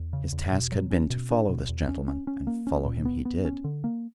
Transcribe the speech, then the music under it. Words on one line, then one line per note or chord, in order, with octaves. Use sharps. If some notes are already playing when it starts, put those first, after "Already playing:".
His task had been to follow this gentleman, and follow him he did.
Already playing: E2
C#3
E2
B2
F#3
C#4
B2
D4
B2
E2
C#4
C#4
C#4
A#3
C#4
A#2
B3
B3
C#4
D3
A#3